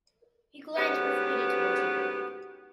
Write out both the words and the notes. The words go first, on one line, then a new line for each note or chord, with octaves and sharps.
He glanced with pity towards Harry.
D2 G#2 B3 C#4 G4 B4